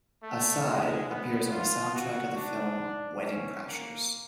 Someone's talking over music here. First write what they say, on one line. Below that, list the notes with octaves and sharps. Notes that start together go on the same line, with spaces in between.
"Aside" appears on the soundtrack of the film "Wedding Crashers".
A3
G#3
B3
F4
F#4
D4
C#4
A#3